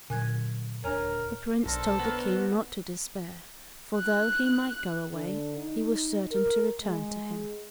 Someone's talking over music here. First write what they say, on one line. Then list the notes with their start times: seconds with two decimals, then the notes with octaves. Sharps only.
The Prince told the King not to despair, for though he might go away, he was certain to return to him.
0.10 A#2 D3 F#3 G#5 F#6 G#6
0.84 D#1 D2 D4 A#4 C#5 G#5 A#5
1.66 B1 D3 A4 A#4 C5 C6 A#6
2.00 B3 F#4 A#4
3.97 F#6
5.13 D3
5.58 D#4
6.32 A#4
6.82 G#3